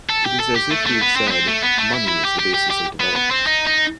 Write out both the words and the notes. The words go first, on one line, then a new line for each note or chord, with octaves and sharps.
It is as if we have said, Money is the basis of development.
A4
G4
A4
G4
A3
A3
B3
C4
B3
C4
A3
B3
A3
E4
E4
G4
G4
G4
G4
B3
B3
C4
D#4
D#4